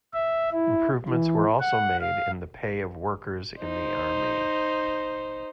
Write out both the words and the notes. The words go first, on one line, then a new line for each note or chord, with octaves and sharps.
Improvements were also made in the pay of workers in the Army.
E5
E4
E3
F#5
F5
D#4 C5